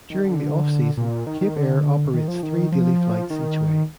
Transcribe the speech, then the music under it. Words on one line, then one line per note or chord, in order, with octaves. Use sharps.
During the off-season, Cape Air operates three daily flights each way.
D#3
D3
A#2
D#3
D#3
D3
D#3
F3
D#3
F3
D#3